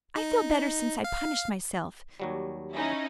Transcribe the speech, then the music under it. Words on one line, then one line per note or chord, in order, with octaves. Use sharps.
I feel better since I punished myself.
D#4
F5
D#2 F#3 G3
C#4 D#4 E4